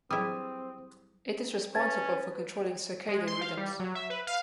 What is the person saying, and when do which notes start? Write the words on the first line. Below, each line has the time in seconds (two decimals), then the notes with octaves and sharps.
It is responsible for controlling circadian rhythms.
0.11 F#3 G3 C4 E4 G#4 B4 D#6
1.75 C#4 B4 G#6 A6
3.09 G#3
3.27 C6
3.41 F5
3.57 G3
3.80 F#3
3.95 E5
4.10 B4
4.27 F5